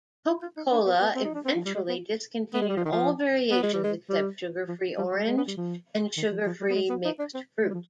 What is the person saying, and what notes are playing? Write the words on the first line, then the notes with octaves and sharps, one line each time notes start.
Coca-Cola eventually discontinued all variations except sugar-free orange and sugar-free mixed fruit.
D#4
F4
D#4
D4
B3
B3
C4
D#4
D4
C4
F3
G3
G#3
B3
B3
G#3
G3
F3
D#3
F3
B3
G#3
G3
G#3
G3
F3
G3
G3
G#3
B3
G3
F3
D#3
F3
F3
G3
B3
G#3
B3
D#4
D4
C4
G#3
G3
F3